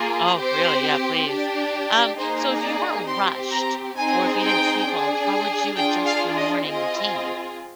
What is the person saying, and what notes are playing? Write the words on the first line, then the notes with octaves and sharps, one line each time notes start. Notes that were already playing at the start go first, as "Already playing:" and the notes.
Oh, really? Yeah, please. Um, so if you weren't rushed or if you didn't sleep well, how would you adjust your morning routine?
Already playing: A#3 F4 G#4
C4 G4 C5
D4 G4
A#3 D#4 G#4 C5
D5
C4 G4 C6
A#5
C4 D#4 G#4 G#5
G5
D4 G#4
D4 F4 G#4 G5
F5
D#5
C4 F4 G#4 D#5